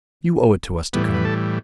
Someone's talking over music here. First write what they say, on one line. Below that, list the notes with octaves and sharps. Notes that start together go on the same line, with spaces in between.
You owe it to us to come.
A2 E3 G3 B3
B4
A4